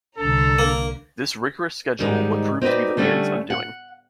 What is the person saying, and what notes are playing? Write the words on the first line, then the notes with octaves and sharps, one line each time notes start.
This rigorous schedule would prove to be the band's undoing.
C2 D3 A4 A#5
A#3
G#2 D#3 G3
C4 D#4 F#4 B4 D5
D3 G3 A3 C#4 A4
F#5